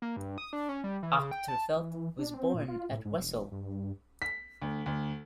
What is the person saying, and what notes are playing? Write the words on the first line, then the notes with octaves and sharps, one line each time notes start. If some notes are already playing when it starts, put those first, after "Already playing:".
Achterfeldt was born at Wesel.
A#3
G2
D#6
D4
C#4
G3
E3
C#3
G5
A5
E3
D4
C4
A#2
F4
A2
G#2
E1
G2
B6
D2
D2